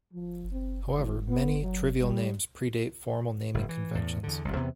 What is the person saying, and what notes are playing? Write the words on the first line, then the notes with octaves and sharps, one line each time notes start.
However, many trivial names predate formal naming conventions.
F3
C4
G#1
B3
F#3
G3
F#1 G2
E3
E2 A2
E2 D3
F#1 C2
E2 C3 B3